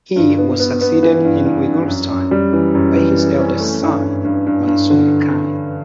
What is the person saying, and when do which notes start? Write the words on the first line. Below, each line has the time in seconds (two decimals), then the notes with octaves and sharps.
He was succeeded in Uyghurstan by his eldest son Mansur Khan.
0.16 G2
0.38 B3
0.60 B3
0.81 B3
1.03 E3
1.25 G2
1.46 G2
1.66 G2
1.88 F#2
2.10 F#2
2.31 G3
2.53 E3
2.75 F#2
2.96 E3
3.18 E3
3.39 C#4
3.60 A3
3.82 G2
4.03 G2
4.25 G2
4.47 G2
4.67 G2
4.90 D3